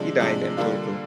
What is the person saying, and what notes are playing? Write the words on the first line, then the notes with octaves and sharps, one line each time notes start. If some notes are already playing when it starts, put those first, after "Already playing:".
He died in Turku.
Already playing: C3 F3 G#3 D4
C3 F3 G#3 D4
D3 G3 A#3 D4 F4